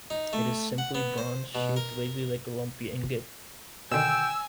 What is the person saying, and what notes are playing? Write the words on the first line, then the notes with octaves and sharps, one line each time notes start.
It is, simply, bronze, shaped vaguely like a lumpy ingot.
D#4
A3
F#5
B3
C5
B2
A#4
B2 D3 D#3 G5 G#5 E6 G6